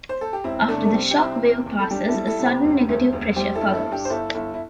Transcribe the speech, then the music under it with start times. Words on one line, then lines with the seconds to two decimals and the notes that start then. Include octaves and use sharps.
After the shock wave passes, a sudden negative pressure follows.
0.09 C5
0.21 A4
0.33 G4
0.44 E1 C4 E4
0.68 C3 A3 D4
0.85 A3
0.93 G3 C4
1.11 G4
1.18 C3 C4 E4
1.42 E2
1.66 E2
1.80 A4
1.91 G3 D4 G4
2.08 E4 A4
2.14 G3
2.27 E4 A4
2.39 C3
2.45 G4 C5
2.64 E1
2.89 D2
3.13 E1
3.36 G3 G4 C5
3.55 E4 A4
3.61 G2
3.73 E4 A4
3.86 G2
3.92 D4 G4
4.05 C5
4.10 G1 E4 A4
4.35 G1 E4 A4
4.54 E4